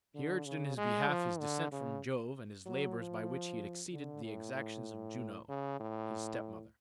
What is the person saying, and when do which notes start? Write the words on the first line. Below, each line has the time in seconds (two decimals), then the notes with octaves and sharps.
He urged in his behalf his descent from Jove and his labors by which he had exceeded the exactions of Juno, his stepmother.
0.15 D3
0.46 C#3
0.77 G#3
1.09 F3
1.40 D3
1.72 C#3
2.66 F#3
2.97 F3
3.92 D3
4.23 A2
4.54 A2
5.49 C#3
5.80 A2